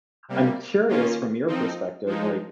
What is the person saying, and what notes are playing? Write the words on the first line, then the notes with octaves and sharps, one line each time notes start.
I'm curious from your perspective, like,
C3 G3 A#3
D#3 A#3 C#4 F4
F3 C4 D#4
F3 G#3 D#4